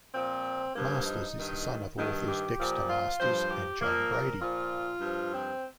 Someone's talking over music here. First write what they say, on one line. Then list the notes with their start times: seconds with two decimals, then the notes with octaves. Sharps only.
Masters is the son of authors Dexter Masters and Joan Brady.
0.13 A#2 F3 C4
0.75 G2 F3 A#3
1.05 D#4
1.36 G2 D#3
1.97 G2 D#3
2.27 G4
2.58 A#2 F3
2.88 F4
3.18 G2 F3 C5
3.50 G4
3.79 A#2 F3 A#3
4.10 A#4
4.40 A#2 F3 F4
5.01 G2 F3
5.32 C4